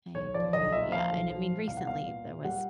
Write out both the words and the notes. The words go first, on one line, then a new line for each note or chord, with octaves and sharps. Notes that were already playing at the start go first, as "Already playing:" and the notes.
I agree, yeah, and I mean, recently there was
B1 C#5
F3 D5
B1 D#5
A#2 E5
F3 F5
B1
F3
A#2
C2 F5
F#5
B3 F5
A#2
A#2
G3 F#5